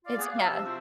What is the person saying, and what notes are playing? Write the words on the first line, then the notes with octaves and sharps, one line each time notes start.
It's yeah.
F4 D5 F5
A#3 B3 G#4
F5
C3 F3 D4 E6
C4 F4 F#4 C5 E5